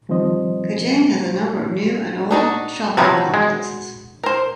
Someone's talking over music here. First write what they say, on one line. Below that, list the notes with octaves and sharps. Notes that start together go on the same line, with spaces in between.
Kajang has a number of new and old shopping complexes.
D#3 F3 G3 C4 C5 D#5
D4 D#4 F#4
C3 F3 F#3 F#4 B4 A#5
G#3
A#4 C5